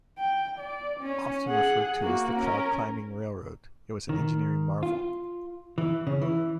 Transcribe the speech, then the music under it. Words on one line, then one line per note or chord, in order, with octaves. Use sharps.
Often referred to as the "Cloud Climbing Railroad" it was an engineering marvel.
G5
D5
C#4
G#4 F#5
A#3 F#4
C#4 A#4
D#3
F4
E3
C#3
E3